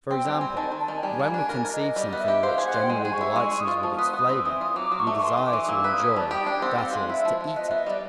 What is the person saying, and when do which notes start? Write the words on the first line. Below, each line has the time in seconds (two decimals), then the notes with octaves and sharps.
For example, when we conceive something which generally delights us with its flavour, we desire to enjoy, that is, to eat it.
0.10 C4 G5
0.25 G3
0.33 G#5
0.41 C4
0.57 D#3 A5
0.72 D#3
0.80 A5
0.88 D#3 G#5
1.00 G3 G5
1.10 G#5
1.19 A#3
1.34 D4
1.49 A#4
1.65 A#4
1.73 D#5
1.81 A#4
1.96 G3 D#5
2.13 B3
2.19 E5
2.28 G4
2.43 C5 F5
2.58 G#4
2.66 F#5
2.74 C5
2.83 G5
2.90 G#3 G#5
3.05 G#4
3.12 C#6
3.21 E4
3.36 G#3 C#6
3.51 G#3
3.60 D#6
3.67 F4
3.83 F3
3.99 B3
4.13 B3
4.29 C4
4.45 E3
4.61 F4
4.76 F#3 D6
4.92 F#3
4.99 C#6
5.07 A3
5.17 C#6
5.22 E3 C6
5.38 E3
5.46 D6
5.53 E3
5.69 A#3 E6
5.84 B4
5.93 D#6
6.00 C#4
6.16 G3 A5
6.31 G4 G5
6.46 D4 G5
6.62 C4 F#5
6.79 C4
6.85 F5
6.93 G#3
7.10 E4 E5
7.25 F3
7.41 F3
7.56 B3 D#5
7.67 B3 E5
7.79 D#5
7.86 G3 D5